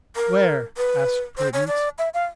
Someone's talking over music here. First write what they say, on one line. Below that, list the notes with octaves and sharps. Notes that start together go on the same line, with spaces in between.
"Where?" asked Prudence.
A#4
B4
C5
C#5
D5
E5
F5